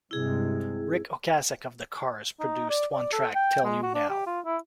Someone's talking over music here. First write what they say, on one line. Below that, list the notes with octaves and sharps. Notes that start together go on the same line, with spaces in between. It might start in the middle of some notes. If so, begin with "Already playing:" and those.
Ric Ocasek of the Cars produced one track, "Tell You Now".
G2 C3 G#3 E4 G#4
D#4
D5
D5
A4
G5
G#3
F#4
D4
G4
F4
E4